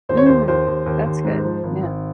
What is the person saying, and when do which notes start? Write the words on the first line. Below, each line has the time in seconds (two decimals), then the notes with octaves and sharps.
Mm. That's good. Yeah.
0.09 D#2 C5
0.17 C#5
0.26 D#2 C5
0.48 D#2 C5
0.67 D#2
0.86 D#2
1.06 D#2
1.24 G#2
1.45 F3
1.63 G#1
1.83 G#1